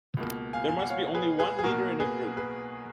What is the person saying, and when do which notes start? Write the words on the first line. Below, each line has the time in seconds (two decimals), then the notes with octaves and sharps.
There must be only one leader in a group.
0.17 C#2 B2 A#3
0.53 F5 G#5
0.69 G#5
0.79 F#5
0.90 C#5 F5
1.14 G#4 B4
1.39 G#4 B4
1.59 G#4
1.63 B1 B2 A#3 F#4 A#4
2.00 G#4 B4
2.37 G#4 B4